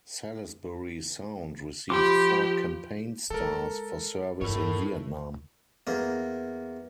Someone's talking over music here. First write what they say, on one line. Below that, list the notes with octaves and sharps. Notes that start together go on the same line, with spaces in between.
"Salisbury Sound" received four campaign stars for service in Vietnam.
F3 G4 B5 C6 D6
G#3 A4 A#4
G2 E3 A4 A#4 C#5 B5
E2 A#3